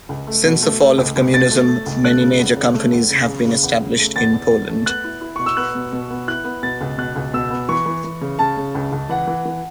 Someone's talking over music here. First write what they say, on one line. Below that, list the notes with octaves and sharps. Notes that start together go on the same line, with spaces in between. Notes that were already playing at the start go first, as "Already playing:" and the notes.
Since the fall of communism many major companies have been established in Poland.
C#2
A3
B2
A3
A3
C#2
C#2
B2 A6
A3
A3
C#2
A3 F#6
C#3
E2
C#3
A3
E2
C#3
C#3
C#3
E2
C#3
A3
E2 A6
E2
E2
A3
B3 F#6
E4
E4
B2 C#6
E6
B3 F#6
B2
B2
B3
E4 F#6
B3
B2 A6
C#2
B2 F#6
C#2
B2 E6
B3
E3 C#6
E3
E3
C#3
C#3 A5
C#3
C#2
C#2
E3 F#5
E3
E3